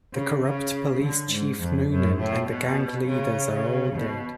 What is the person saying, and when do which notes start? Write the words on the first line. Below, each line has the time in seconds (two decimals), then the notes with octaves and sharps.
The corrupt police chief Noonan and the gang leaders are all dead.
0.13 C#3
0.43 C#3
1.03 D3
1.31 G#2
1.60 F2
1.91 F#2
2.20 A2
2.49 B2
3.07 C#3
3.96 B2